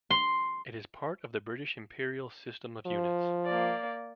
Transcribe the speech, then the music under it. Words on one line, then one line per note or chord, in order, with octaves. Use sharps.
It is part of the British Imperial system of units.
C6
F3
A#3 D5